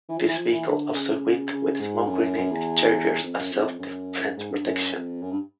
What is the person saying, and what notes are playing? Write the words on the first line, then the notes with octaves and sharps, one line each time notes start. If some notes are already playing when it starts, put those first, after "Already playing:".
This vehicle also equipped with smoke grenade dischargers as self defence protection.
E3
F3
E3
F3
E3
D3
C#3
C#3
G#2
F#2
F#2
E2
F2
F#2
F2
F#2
G#2
G2
F#2
F2
F#2
G2